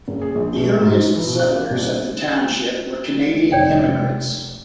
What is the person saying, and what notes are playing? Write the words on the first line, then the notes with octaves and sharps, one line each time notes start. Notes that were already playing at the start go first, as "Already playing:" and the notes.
The earliest settlers of the township were Canadian immigrants.
F#1
G#4
A#1
B2
G#2
D#4
E3
B2
F#6
A#3
C2
F1 C#5 D5 G5